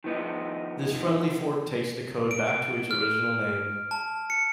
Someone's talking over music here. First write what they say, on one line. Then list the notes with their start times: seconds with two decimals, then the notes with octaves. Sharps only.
This friendly-fork takes the code back to its original name.
0.04 D#3 F3 B3 D#4
2.31 D7
2.91 F6
3.91 A5
4.30 C#7